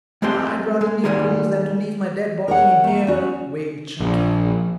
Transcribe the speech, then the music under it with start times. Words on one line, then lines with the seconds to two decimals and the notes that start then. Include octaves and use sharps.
"I'd rather leave clues than to leave my dead body in here," wailed Chunky.
0.22 G#3 A3 C4 G4 C6
0.81 G#3
1.04 D#3 F3 G3 G#3 A#3 G#4
2.48 A#4 C#5 F#5
2.84 A3 A#3
3.07 C#4 F#4
4.00 A#1